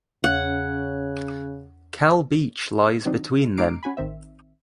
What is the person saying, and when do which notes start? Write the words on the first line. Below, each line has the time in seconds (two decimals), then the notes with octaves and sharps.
Cal beach lies between them.
0.24 E2 C#3 C#5 F#5 F#6
3.05 C3 D#3 F#3 C4 D4 D#4
3.57 A3 D#4 A#5 D6 C7 D7
3.83 C#4 F#4 G#5 B5
3.97 A1 D#3 C4 E5